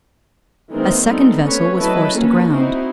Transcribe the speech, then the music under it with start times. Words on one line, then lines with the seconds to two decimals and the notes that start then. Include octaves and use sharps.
A second vessel was forced aground.
0.71 D#3 E3 G#3 A#3 C4 A#4
1.07 G3 A3 B3 C4 D#4 A4
1.43 A3 B3 C#4 B4 C#5
1.79 F#3 E4 B4 D#5 A5
2.15 A#3 C#4 F#4 B4
2.51 C4 D#4 E4 F#4 C5